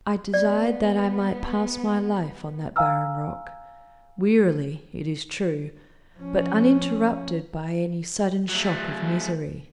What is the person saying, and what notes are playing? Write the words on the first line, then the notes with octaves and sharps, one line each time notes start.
I desired that I might pass my life on that barren rock, wearily, it is true, but uninterrupted by any sudden shock of misery.
B3 D5
F5 G#5 A#5 E6 F6
F3 C#4
F#3 A3